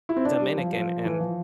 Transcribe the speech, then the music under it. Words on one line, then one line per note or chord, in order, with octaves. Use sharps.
Dominican and
E4
C4
D4
G3
F3
F3
E3
F3